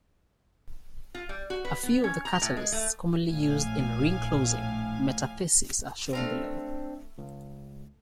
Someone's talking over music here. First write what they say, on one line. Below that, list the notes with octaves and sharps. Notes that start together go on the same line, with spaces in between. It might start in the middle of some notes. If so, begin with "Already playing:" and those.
A few of the catalyts commonly used in ring-closing metathesis are shown below.
F4
G3
F#4
B4
B3
C#4
A#5
A2
G#3
A3
A#1 A2 F5 G#5
A3 C4 D4 F5 A#5
C#2